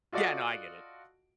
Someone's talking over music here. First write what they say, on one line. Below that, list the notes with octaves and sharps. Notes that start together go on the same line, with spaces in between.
Yeah, no, I get it.
F4 F#4 A4 D5 D#5 F#5